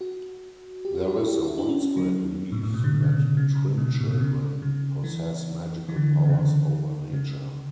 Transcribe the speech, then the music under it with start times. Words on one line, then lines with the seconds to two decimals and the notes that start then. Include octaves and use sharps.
There is a widespread belief that twin children possess magical powers over nature.
0.01 F#4
0.85 G4
0.95 F#4
1.08 F#4
1.16 E4
1.27 G4
1.43 F#4
1.48 E4
1.58 D4
1.69 C#4
1.82 C#4
1.97 F#3
2.52 A2
2.63 A2
2.74 B2
2.84 D3
2.94 B2
3.03 C#3
3.12 B2
3.37 C#3
3.78 B2
4.01 A2
4.11 B2
4.21 C#3
4.62 C#3
5.04 E3
5.89 E3
5.96 D3
6.04 E3
6.25 C#3
6.30 D3
7.13 C#3